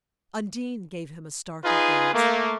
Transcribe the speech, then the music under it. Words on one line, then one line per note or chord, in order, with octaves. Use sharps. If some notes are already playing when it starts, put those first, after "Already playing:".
Undine gave him a startled glance.
D#4 F4 G#4 B4
A3 A#3